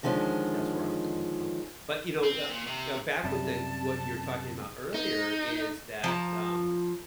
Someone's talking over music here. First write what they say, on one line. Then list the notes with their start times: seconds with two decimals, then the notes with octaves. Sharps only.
that's where I'm coming from. But, you know, uh uh, back with the what you were talking about earlier is that, um,
0.03 D3 D#3 F3 G#3 C#4
2.24 C4
2.50 A#2
2.67 C3
3.24 F#2 C3 G3 A5
4.94 D#4
6.04 F3 A5 A#5